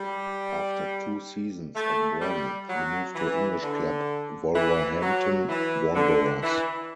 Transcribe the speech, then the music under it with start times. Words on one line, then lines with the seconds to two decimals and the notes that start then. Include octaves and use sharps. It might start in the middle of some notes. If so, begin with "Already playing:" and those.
After two seasons at Brann he moved to English club Wolverhampton Wanderers.
Already playing: G3
1.76 A3
2.21 G3
2.69 F#3
3.15 E3
3.63 D3
4.56 E3
5.02 F#3
5.49 E3
5.95 D3
6.43 E3